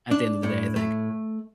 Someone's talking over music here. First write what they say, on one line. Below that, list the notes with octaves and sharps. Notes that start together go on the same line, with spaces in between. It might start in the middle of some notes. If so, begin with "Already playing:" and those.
at the end of the day, I think.
D4
A2
A3